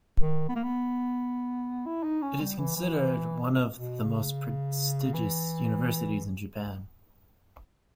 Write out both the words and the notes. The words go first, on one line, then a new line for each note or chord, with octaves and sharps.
It is considered one of the most prestigious universities in Japan.
D#3
B3
A#3
B3
E4
D#4
C#4
G3
E3
E3
B2
C#3
E3